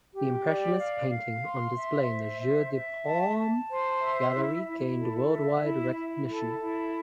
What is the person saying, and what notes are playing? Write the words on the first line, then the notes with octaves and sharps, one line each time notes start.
The Impressionist paintings on display in the Jeu de Paume gallery gained worldwide recognition.
G4
D5
F5
F5
C6
E5
C5
E5
E5
A5
A5
C5
E5
E4
E4
A4
E5
E4
E4
A4
E4